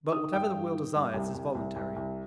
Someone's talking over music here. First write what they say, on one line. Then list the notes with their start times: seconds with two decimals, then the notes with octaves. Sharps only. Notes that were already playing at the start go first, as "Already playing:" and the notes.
But whatever the will desires is voluntary.
0.12 D#3 D#6
0.33 G2 G5
0.53 G2
0.74 D#3
0.95 G2
1.14 C2
1.34 C2
1.55 C2
1.76 C2
1.96 C2